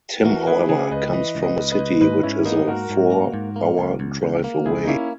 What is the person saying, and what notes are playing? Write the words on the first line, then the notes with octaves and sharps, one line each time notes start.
Tim, however, comes from a city which is a four-hour drive away.
E3 F#4 A#4
E3 G#4 B4
C#3 G#4 B4
C#2 B4 D#5
E3 B4 D#5
C#2
B4 D#5
C#2
B4 D#5
C#2
G#2 B4 D#5
G#2 C#4 E4
A#3 B3 D#4
G#2 F#4 A#4
G#2
A#3
G#2
A#3
C#2
C#2
C#2
A#3
C#2 E4 G#4
D#4
A#3 C#4 E4